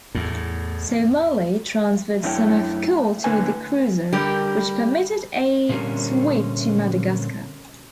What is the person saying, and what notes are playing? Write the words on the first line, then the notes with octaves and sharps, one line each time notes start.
"Somali" transferred some of coal to the cruiser, which permitted a sweep to Madagascar.
E2 A2
F#2 A3 D4 E4 C#5 G5
A2 D3 A#3 B4 C#5 G#5
D3 G3 G4 A#4
A#2 D3 G3 C4 C#4 A#4